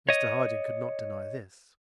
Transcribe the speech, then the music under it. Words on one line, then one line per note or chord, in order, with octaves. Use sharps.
Mr Harding could not deny this.
C#5 D#5